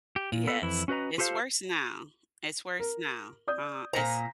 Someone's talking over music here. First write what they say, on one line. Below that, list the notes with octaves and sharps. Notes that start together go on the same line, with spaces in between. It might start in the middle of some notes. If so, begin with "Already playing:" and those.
Yes. It's worse now. It's worse now. Uh, it's
G4
A#2
B3 A4 B4
F2 E3 E4
C#4 F#4 B4 D#5 A#5
F4 G4 A4 C5 F5
A#4
D5 D#6 G6
A#2 C5 A#5 A#6 B6